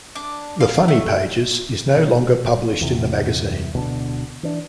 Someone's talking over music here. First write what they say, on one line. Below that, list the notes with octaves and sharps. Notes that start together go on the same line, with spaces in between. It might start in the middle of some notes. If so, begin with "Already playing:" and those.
"The Funny Pages" is no longer published in the magazine.
D4
F5
A3
B2
E2 C3
D1 B2 D3 D4
E3 D4